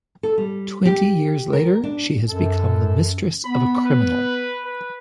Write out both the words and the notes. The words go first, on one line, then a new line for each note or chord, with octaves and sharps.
Twenty years later, she has become the mistress of a criminal.
A4
G3
G4
A#4
D4
F#2 A4
B3 B5
B4
B4